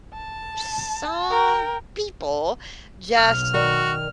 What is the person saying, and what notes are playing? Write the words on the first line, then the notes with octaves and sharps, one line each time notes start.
some people just
A5
A#4 G5
B1 F6
D#3 F#4 A#4 D5